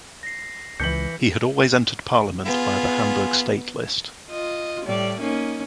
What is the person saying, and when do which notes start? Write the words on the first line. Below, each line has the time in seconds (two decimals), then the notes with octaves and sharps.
He had always entered parliament via the Hamburg state list.
0.23 A#6 C7
0.80 C#2 E3 G6 B6 C#7 F#7
2.46 B3 F4 G#4
4.31 F4 D#5
4.85 A2 G3 D5
5.21 A#3 C#4 D#4